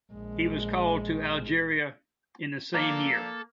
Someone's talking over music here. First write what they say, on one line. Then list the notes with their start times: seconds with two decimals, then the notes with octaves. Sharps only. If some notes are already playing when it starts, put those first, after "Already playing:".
He was called to Algeria in the same year.
0.12 A#1 G#3
2.74 F3 A#3 D4 A4